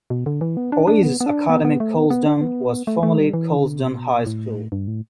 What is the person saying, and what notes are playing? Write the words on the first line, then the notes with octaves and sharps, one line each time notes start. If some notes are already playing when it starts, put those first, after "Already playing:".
Oasis Academy Coulsdon was formerly Coulsdon High School.
B2
D3
E3
B3
D4
D4
B3
B3
D4
B3
B3
A3
B3
B3
D4
B3
A3
A3
G3
E3
D3
B2
A2
G2
A2